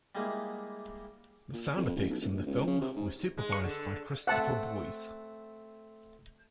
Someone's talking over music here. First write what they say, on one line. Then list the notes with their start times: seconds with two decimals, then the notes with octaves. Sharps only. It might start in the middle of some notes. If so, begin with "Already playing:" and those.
The sound effects in the film were supervised by Christopher Boyes.
0.15 G3 G#3 A#3 D#4 E4
1.54 A#2
1.77 F2
1.96 A1
2.09 B1
2.21 D#1
2.32 A#1
2.46 C#2
2.67 C#3
2.81 C3
2.96 G#2
3.38 G#3
3.52 B4 C#6
3.64 D3 A4
4.27 A3 C4 F#5 A5